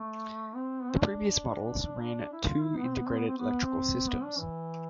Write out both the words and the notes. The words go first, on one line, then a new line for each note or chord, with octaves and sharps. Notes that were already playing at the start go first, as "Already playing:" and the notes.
The previous models ran two integrated electrical systems.
Already playing: A3
C4
B3
C4
D4
E4
F4
E4
B3
C4
B3
C4
B3
C4
B3
C4
B3
D4
E3